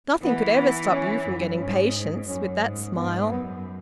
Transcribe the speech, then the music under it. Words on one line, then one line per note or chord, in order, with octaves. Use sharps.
Nothing could ever stop you from getting patients--with that smile!
E3 B3
B3
C#4
F#2
G#2 C#4
F#2 C#4
G#2
G#2 B3
F#2 B3